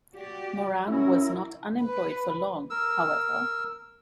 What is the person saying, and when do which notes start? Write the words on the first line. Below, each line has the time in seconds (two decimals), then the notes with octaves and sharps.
Moran was not unemployed for long, however.
0.14 F#4 G4 D5
0.88 C#4 E4 F#4 A#4
1.83 B4
2.70 A#4 E6